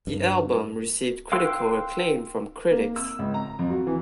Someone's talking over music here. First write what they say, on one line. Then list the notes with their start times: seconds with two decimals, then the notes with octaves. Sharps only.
The album received critical acclaim from critics.
0.07 G2
1.32 F5 G5 C6 E6 F#6
2.71 A#3
2.96 E6
3.19 C#2
3.34 A#5
3.59 F2
3.70 F#4
3.87 E3